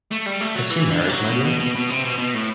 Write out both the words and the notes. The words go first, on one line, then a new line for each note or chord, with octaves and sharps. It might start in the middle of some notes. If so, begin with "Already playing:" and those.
Is she married, my dear?
A3
G3
A3
F#3
E3
D3
F#3
B2
B2
B2
B2
C3
B2
B2
A2